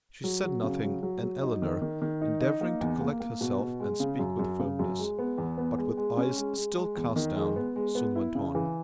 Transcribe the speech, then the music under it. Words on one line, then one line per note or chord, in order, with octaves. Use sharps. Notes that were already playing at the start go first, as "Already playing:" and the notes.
She said nothing; and Eleanor, endeavouring to collect herself and speak with firmness, but with eyes still cast down, soon went on.
F#3
F#3
C#3
F#3
F#3
F#3
D#4
D#3
D#3
D#3
D#4
D#4
A#3
E2
A#3
A#3
B2
B2
G#3
C#3
F#2
F#2
C#3
F#2
G#3
B3
E2
B3
G#3
G#3
C#4
G#3
G#3
G#3
E2
D#3
G#3
B3
G#3
B3
E4
C#3
E3